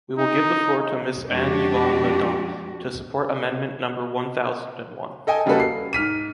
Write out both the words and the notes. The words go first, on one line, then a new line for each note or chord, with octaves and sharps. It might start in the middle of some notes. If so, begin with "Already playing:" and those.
We will give the floor to Mrs Anne-Yvonne Le Dain, to support amendment number one thousand and one.
D#4
F2 G#3 D4 F#4 G4
A4 D#5 G5 G#5
C#3 G3 A#3 F#4 A4 B4
C7
G#2 F6 B6 D#7